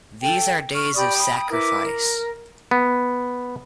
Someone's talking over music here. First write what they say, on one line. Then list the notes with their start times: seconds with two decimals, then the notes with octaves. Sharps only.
These are days of sacrifice!
0.22 A4 G5
0.73 C#6 F6
0.94 G4 D5 B5 D#6
1.16 G5 B5 D#6
1.50 E4 A#4 B4 D6
1.82 A#4
2.71 B3